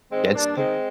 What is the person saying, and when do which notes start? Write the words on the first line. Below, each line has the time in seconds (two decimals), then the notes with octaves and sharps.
Against you?
0.12 D#3 G#3 C4
0.33 G2 A#3 D4
0.56 D#3 G#3 C4